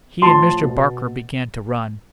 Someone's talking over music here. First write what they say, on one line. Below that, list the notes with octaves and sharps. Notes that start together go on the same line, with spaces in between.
He and Mr. Barker began to run.
A2 F3 A5 C6
B2